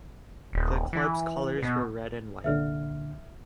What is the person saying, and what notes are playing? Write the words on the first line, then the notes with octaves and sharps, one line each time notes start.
The club's colors were red and white.
D#1
E3
B2
C2 A#2 D3 E5 F6